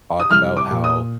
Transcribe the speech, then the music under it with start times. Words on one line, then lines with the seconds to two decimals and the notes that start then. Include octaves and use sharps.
talk about how
0.19 D#6
0.31 C2 F6
0.57 D6
0.71 A#2
0.84 D#6